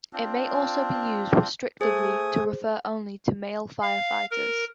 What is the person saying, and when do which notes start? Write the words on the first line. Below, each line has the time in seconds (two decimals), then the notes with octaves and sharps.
It may also be used restrictively to refer only to male firefighters.
0.13 C4 D4 F4
1.81 A3 G#4 C5 G#5 D#6
3.82 F5
4.31 A#4